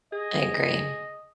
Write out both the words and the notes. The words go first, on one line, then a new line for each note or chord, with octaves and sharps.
I agree.
G#4 D#5